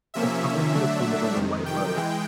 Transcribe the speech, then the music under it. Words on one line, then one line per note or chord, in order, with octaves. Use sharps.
This commonly occurs under light loads.
C3 F3 A#3 C#4 E5
D3 F#3 A3 D4
F2 C3 D#3
G5
E3 G#3